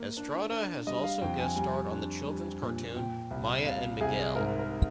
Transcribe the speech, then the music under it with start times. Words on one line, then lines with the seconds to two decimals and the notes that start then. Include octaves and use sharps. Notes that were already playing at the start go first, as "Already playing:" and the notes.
Estrada has also guest-starred on the children's cartoon "Maya and Miguel".
Already playing: A#3
0.17 D4
0.52 D4
0.87 G3 D#5
1.04 F5
1.22 F2 G5
1.40 G#5
1.56 G3 G#5
1.91 D4
2.26 G3
2.61 A#2
2.96 A#2 G5
3.31 C2
3.66 C2 F5
4.01 C2 G#4
4.36 G#2 A#4
4.59 A#4